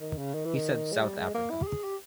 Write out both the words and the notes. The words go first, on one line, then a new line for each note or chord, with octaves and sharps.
He said, South Africa.
D#3
C#3
D#3
E3
D#3
G#3
G3
G#3
A#3
E4
G4
G#4
G4